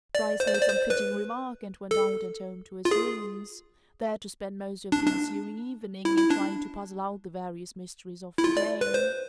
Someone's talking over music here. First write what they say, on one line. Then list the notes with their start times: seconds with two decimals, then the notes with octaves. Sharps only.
Bryce made some fitting remark and went out and home to his rooms--there to spend most of the ensuing evening in trying to puzzle out the various mysteries of the day.
0.15 D5
0.40 C5
0.47 D5
0.55 C5
0.62 D5
0.69 C5
0.90 B4
1.91 A4
2.85 F4
2.91 G#4
4.92 D4
5.07 D4
6.05 E4
6.18 E4
6.30 D4
8.38 E4
8.44 F4
8.57 D5
8.81 B4
8.94 C5